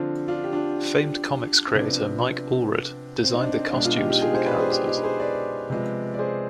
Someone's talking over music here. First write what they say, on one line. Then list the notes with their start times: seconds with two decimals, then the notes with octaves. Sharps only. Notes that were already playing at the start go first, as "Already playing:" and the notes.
Famed comics creator Mike Allred designed the costumes for the characters.
Already playing: D3 F3 C4 D4 F4
0.28 D4 F4
0.44 G4
0.52 D4 F4
1.67 C4
1.75 C3 F3 B3 D4
3.24 C4
3.33 D#4
3.40 D4
3.56 C4
3.72 B2 G#3 B3 D4
3.85 D4 F4
3.97 D#4 G4
4.10 D#4 G4
4.22 F4 G#4
4.35 G#4 C5
4.46 B4 D5
4.58 G#4 C5
4.71 G4 B4
4.87 D#4 G4
4.97 B4
5.03 G#4 C5
5.20 B4 D5
5.70 C3 F3 G#3 B3
6.14 D5
6.19 G#4 C5